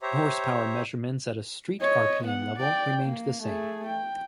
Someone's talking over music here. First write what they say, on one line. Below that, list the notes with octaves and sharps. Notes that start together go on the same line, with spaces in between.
Horsepower measurements at a "street" rpm level remained the same.
G4 C5 C#5 E5 A#5
C#5 D#5
B3 F#5
D5 G5
A#3
A3 G#4
G5